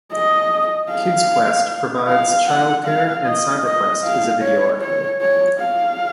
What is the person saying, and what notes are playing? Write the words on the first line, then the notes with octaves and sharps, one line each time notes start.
Kids Quest provides childcare and CyberQuest is a video arcade.
D#5
F5
F5
F#5
F5
D#5
D#5
F5
C#5
C#5
C#5
F5